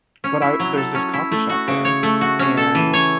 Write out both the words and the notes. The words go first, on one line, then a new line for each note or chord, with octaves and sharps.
but I there's this coffee shop there, and
C#4
E4
F#3
A4
C#4
E4
A3
F#4
C#3
C#5
A3
F#4
C#4
A4
E3
C#5